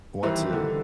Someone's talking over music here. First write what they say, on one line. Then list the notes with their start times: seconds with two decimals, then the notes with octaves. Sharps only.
want to
0.23 D#3 E3 G3 C5
0.53 D3